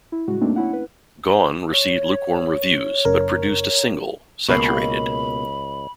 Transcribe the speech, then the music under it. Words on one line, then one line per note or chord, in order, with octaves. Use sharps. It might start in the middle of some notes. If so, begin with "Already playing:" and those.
"Gone" received lukewarm reviews, but produced a single, "Saturated".
E4
A2 C#3 G3 G#3 F#4
A3 A#3 C4 D4 D#4
C#4 E4 F#5
B4
C#5
F#1 A#4
C#2 B2 A#3 B5